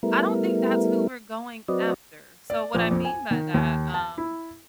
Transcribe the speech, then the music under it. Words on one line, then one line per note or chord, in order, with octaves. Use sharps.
I don't think that's who we're going after. So what I mean by that, um,
G3 A3 B3 E4 A#4
F#3 C4 F#4 B4 D5 D#5
D5
A#1
F2
G#5
D#3
D#2
A5
E4